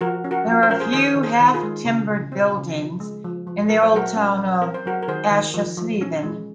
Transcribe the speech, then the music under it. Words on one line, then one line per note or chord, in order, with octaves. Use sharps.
There are few half-timbered buildings in the old town of Aschersleben.
F3 F#4 A#4
C#4
F#4 A#4
F3
C5
C#4 A#4
G#4 C5
D#3 G#4 C5
D#3
G#4 C5
D#3
F4 G#4
G#3
C#3
C#3
C4
C#3
F3
G#3
F3
F3
F#3 A#4
C5
F#3 F#4 A#4
C#4
F#3
C4 A#4
C5
F#3 F#4 A#4
A#4
D#3 G#4 C5
D#3
F3
F3
C#4
G#3